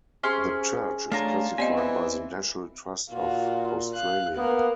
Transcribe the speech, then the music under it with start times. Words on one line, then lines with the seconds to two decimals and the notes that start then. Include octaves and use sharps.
The church is classified by the National Trust of Australia.
0.23 C3 C#4 G#4 C6
1.12 C#3 A3 D4 F4 G#5 A#5
1.58 G3 B3 C4 D5 D#5 G#5
1.76 E3
3.10 A#2 F4 F#4
3.93 F5 F#6
4.36 A#3 B3 A#4